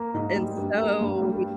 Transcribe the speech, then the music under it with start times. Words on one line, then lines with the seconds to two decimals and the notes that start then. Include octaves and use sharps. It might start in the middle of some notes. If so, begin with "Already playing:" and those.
and so he
Already playing: A#3
0.14 G#2
0.36 G3
0.58 G2
0.79 A#3
1.01 G2
1.22 G3